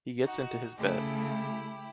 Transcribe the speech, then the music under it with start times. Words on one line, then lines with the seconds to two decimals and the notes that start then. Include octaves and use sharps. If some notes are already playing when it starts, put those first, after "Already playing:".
He gets into his bed.
0.22 D#4 F#4
0.78 C#3 A3 E4 G4